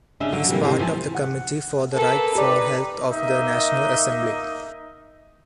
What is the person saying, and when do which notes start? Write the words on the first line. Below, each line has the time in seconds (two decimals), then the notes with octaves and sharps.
He’s part of the Committee for the Right for Health of the National Assembly.
0.20 C#3 C#4 D4 D#5 E5
0.33 D3 F#3
0.49 C3 E3 G3 A#3
0.63 C3
0.78 E3 F3 D#5 G#5 A5
1.15 F#5
1.92 A#3 A4 B4
2.35 D#4 G4 B4 D5
3.10 A#3 D#4 D#5 E5